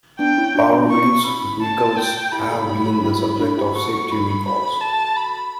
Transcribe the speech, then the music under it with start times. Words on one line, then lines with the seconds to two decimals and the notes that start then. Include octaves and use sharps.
Power Wheels vehicles have been the subject of Safety Recalls.
0.19 B3 D4 G5
0.37 C#4 E4
0.55 D4 F#4
0.72 B3 D4
0.90 C#4 E4 C#6
1.26 B5
1.62 A5
1.97 G5
2.32 E4 G4 B5
2.50 F#4 A4
2.68 E4 G4
2.85 F#4 A4
3.03 E4 G4
3.21 E4 G4
3.39 D4 F#4
3.57 E4 G4
3.75 F#4 A4 C#6
4.11 B5
4.45 B5
4.81 A5
5.16 B5